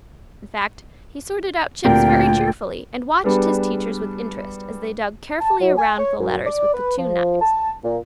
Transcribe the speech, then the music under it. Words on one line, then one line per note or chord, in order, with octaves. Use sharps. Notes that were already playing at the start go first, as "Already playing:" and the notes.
In fact, he sorted out chips very cheerfully and watched his teachers with interest as they dug carefully around the letters with the two knives.
D2 A#2 C4 G4 A#4 G5
G3 B3 D4 G#4 B4
A5
F#3
G#5
C#5
F#2
D5
B4
F3
A5
A#2